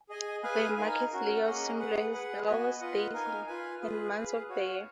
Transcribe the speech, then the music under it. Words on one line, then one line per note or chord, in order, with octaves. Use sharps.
The market's layout symbolizes the hours, days, and months of the year.
G#4 D#5 G#5
G#4 B4 F5 G#5
D#4 A#4 F5 G#5
C#4 F#4 A#4
A#3 C#4 G#4 D#5 F#5
G#4 B4 F#5
G#4 B4 F#5
B3 F#4 B4 D#5 G#5
F4 B4 D#5 F#5
D#4 A#4 F5 G#5
F4 B4 F5 G#5
F4 G#4 B4
G#4 B4 F5
F#4 C#5 F5